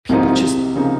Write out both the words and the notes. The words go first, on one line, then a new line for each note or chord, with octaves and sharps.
people just
C2 G#2 C3 F3 A#3 D#4
C#3 F3 A#3 D#4